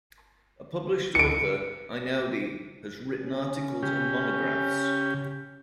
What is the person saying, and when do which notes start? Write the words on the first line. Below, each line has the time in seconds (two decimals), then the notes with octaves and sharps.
A published author, Einaudi has written articles and monographs.
1.15 C#7 D7
3.23 C#4
3.83 C#3 G4